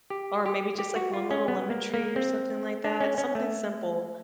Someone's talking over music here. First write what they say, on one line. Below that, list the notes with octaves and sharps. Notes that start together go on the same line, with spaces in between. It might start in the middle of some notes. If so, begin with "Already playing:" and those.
or maybe just, like, one little lemon tree or something like that- something simple.
G4
G4
G4
F#4
F4
C#4
B3
A#3
A#3
C4
D4
C#4
C#4
A3